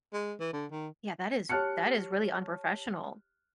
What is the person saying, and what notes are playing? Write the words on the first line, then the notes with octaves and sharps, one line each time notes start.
Yeah, that is that is really unprofessional.
G#3
E3
D3
D#3
G4 C#5 A5 F6 F#6 C#7